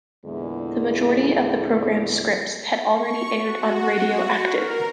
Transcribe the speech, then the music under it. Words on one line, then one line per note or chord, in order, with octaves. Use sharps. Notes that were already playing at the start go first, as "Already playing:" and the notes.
The majority of the programme's scripts had already aired on "Radio Active".
E2 A#2 D3 G#3 E4
C#6
F#4
A#4